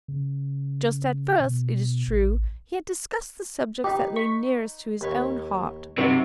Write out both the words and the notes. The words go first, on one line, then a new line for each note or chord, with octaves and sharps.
Just at first, it is true, he had discussed the subjects that lay nearest to his own heart.
C#3
B2
A1
D#4 G4 B4
C#6 B6
D#2 B4 C#5
G2 C3 E3 F#3 D#4 C#5 A6